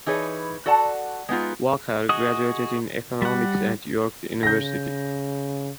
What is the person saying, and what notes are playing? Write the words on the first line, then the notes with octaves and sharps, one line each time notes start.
Walker graduated in Economics at York University.
E3 D#4 G#4 B4 C#5
F#4 A4 D5 F#5 A5
G#3 B3 D#4 F4
F#4 G#4 D#5
G3 F#5
C#3 G6 A#6